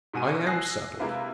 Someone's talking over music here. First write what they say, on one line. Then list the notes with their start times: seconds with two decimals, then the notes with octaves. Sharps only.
'I am settled.
0.13 G#2 B2 F#4 G#5 D#7
0.46 G#5 D#6 E6 F#6 A#6 C7
0.99 C3 G#3 A#3 E4 F4 B4